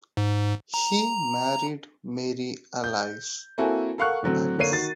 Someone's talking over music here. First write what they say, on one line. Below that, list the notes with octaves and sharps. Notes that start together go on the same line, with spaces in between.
He married Mary Alice.
G#2
A#5
G6
A#3 C4 E4 F#4 A4 G#5
A4 A#4 F5 F#5 C#6 F#6
A2 D3 F#3 C4
D3 A#3 C#5 C7 D#7
D#3 F#4 A6